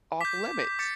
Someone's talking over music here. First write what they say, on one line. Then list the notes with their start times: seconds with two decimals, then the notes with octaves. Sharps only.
off limits?"
0.21 D6 G6 B6
0.79 D6 A6 C#7